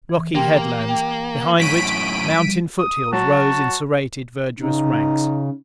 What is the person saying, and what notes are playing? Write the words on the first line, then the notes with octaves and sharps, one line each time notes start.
Rocky headlines, behind which mountain foothills rose in serrated, verdurous ranks.
E3
A#3 G4 G5 C6
G5
F#2 A2 B6 D7 D#7
F3 G3
D#6
F#3 F#4 A5
C#3 D#4